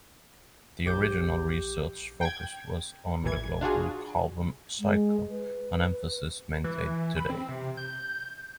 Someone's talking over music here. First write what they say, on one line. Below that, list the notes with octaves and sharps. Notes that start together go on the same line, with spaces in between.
The original research focus was on the global carbon cycle, an emphasis maintained today.
A#1 G4 D6 G6
G5 G#6
A1 A#2 E3 G#6
D4 F4 F#4 G#4
G#3
B4
E3
B5
C4
C3
G6